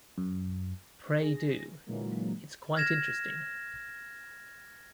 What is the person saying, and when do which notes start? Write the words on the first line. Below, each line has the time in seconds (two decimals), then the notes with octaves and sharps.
Pray, do; it's quite interesting.
0.18 F#2
1.21 G#4 A#6
1.86 A#2 D3 E3 F#3 G#3 A#3
2.76 F6 G#6 A#6 E7